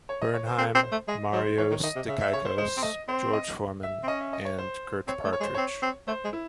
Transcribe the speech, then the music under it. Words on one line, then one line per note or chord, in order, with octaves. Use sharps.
Bernheim, Marios Dikaiakos, George Forman, and Kurt Partridge.
C#5
D#5
C#5
C5
C4 A4
C4
C5
A3
G#3 D#5
F#3 C5
E3 C#5
D#3
D#3 D#5
C3
C#3 E5
E5
C#3 C#5
C5
G#3 C5
C4
A3 D#5
C4 C5
D#5
E5
C4
C#4 D#5
E5
D#5
C#5
C5
C4 C#5
A3
C#5
G#3
C5
C4 C#5
C4
A3 C5
G#3
E4